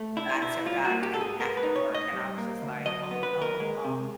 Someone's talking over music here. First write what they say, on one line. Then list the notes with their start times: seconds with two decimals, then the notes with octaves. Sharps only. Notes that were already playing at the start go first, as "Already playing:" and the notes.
back to back and after work. And I was just like, oh, no. Um,
Already playing: A3
0.17 D4 E4
0.41 B2 E4
0.66 G3 F4
0.85 F#4
0.90 A#3
1.03 G4
1.14 G#2 A4
1.21 G#4
1.39 B3 A#4
1.57 B4
1.63 D#4
1.76 C#5
1.88 A2
1.95 D#5
2.13 G3
2.38 A#3
2.62 D2
2.86 F#3 D#5
3.11 B3
3.23 B4
3.35 D#2
3.42 A#4
3.60 G#3
3.84 C3